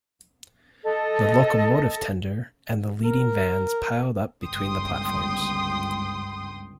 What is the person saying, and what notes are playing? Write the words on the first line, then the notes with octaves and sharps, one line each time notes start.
The locomotive tender and the leading vans piled up between the platforms.
A4 D#5
A#4
G1 C#2 G5 C6 D#6